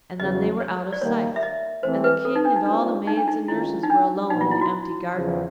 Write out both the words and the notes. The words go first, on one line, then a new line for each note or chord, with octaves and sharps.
And then they were out of sight, and the King and all the maids and nurses were alone in the empty garden.
E2 C#3 F#3 D#5
C#5
D5
D#3 G3 A#3 C#5
E5
D#5
E3 A3 C4 C5
B4
A4
D#4
D4
D#4
G3 C4 D4 F4 A#4
D#4
D4
D#4
D#3 G#3 C#4 E4 F4
D#4
D4
A#2 F#3 B3 D#4
F4
E4
F#4
E2 C#3 F3